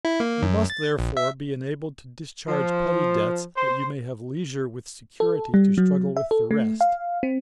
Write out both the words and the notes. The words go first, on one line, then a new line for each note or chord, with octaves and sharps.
You must, therefore, be enabled to discharge petty debts, that you may have leisure, with security, to struggle with the rest.
E4
A#3
F#2
A6
A#1
E5
F3
C5
A4
G3
F#3
E5
A4
A3
F5
C4